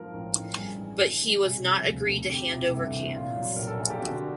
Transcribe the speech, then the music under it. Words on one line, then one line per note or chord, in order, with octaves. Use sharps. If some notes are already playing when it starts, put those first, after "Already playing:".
But he was not agreed to hand over cannons.
Already playing: G#2 F3 A#4
A1
A1
G2 G#4
E3
G1
G3
C3 G#4
F3
D2
D2
F2 G4
C3
G1 E4
E3
A#2 F4
F#3
A#1 A#4
A4
A#1 G#4
G4
D3 F#4